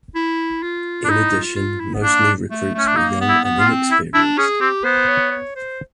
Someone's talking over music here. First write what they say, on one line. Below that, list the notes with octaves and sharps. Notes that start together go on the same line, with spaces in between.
In addition, most new recruits were young and inexperienced.
E4
F4
D4
D#4 E4
F4
F4
E4
B3
A#3 D4
A3
A3 C#4
D4
A#3 D#4
B3
E4
B3
F4
C4
E4
D4 E4
C#4 G#4
C4 G4
B3 C5
C#5
C#5
C5